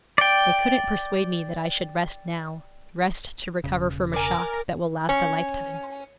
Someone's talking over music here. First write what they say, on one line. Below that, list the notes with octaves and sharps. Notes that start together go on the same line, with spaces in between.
'They couldn't persuade me that I should rest now, rest to recover from a shock that will last a lifetime.'
D5 G5
E1 C#3
A#4 D5 G#5
C#4